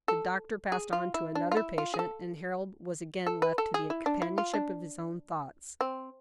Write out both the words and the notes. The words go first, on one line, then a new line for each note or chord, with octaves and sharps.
The doctor passed on to another patient, and Harold was again left to the companionship of his own thoughts.
A4
G#4
F4
E4
D4
F4
E4
F4
G#4
A4
A4
B4
A4
G#4
E4
D4
E4
F4
D4
C4